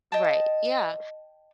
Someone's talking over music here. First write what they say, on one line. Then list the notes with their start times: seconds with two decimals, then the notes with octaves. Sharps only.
Right. Yeah.
0.12 D#5 G5 A5